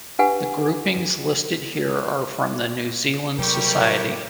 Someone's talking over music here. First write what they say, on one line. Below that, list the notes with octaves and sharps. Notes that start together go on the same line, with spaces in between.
The groupings listed here are from the New Zealand Society.
D4 G4 B4 F#5 G#5
D2 C3 F#3 G3 A#4 G5 C#6